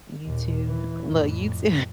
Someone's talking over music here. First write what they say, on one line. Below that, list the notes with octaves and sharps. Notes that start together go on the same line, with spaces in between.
You too? Well, you too.
D#2 A#2
E3
F2 A2